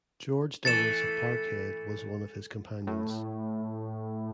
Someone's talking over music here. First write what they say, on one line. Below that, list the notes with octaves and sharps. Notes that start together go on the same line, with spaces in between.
George Douglas of Parkhead was one of his companions.
E3 A3 A6 C#7 E7
A2